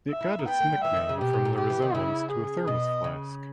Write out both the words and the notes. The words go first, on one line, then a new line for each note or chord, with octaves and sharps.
It got its nickname from the resemblance to a Thermos flask.
E5
E4
D#4
B3 G5
A#3
G3
E3 E5
D#3
C#3
B2 G4
B2
A#2
B2 G4
E3
D#3
C#3 E4
G#4
B2 D#5
C#3